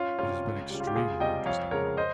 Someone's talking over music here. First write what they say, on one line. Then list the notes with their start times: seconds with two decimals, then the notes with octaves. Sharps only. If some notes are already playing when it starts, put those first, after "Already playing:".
It has been extremely interesting.
Already playing: C#4 F4
0.19 C3 G3 C#4 F4
0.45 C#2
0.70 C#3 G3
0.80 F4
0.87 G4
0.95 C#2 F4 G#4
1.20 C3 G3 D#5 G5
1.46 F2 C#5 F5
1.71 C#3 G#3 A#4 C#5
1.97 C5 D#5